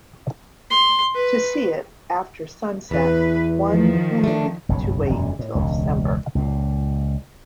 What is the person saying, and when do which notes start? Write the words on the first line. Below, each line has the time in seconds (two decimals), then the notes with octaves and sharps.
To see it after sunset, one will need to wait until December.
0.70 C6
1.15 B4
2.91 E2 E3 B4
3.67 D#3 F3
4.24 A3 D4
4.69 F#1 B1 G2 C#3
5.09 E1 F#2 A#2 D3
5.39 A2
5.55 E1 C#2
6.35 C#2 A#2